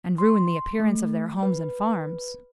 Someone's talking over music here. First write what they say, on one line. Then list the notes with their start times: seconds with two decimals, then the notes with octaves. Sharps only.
"And ruin the appearance of their homes and farms."
0.18 C6
0.80 A3
1.43 B4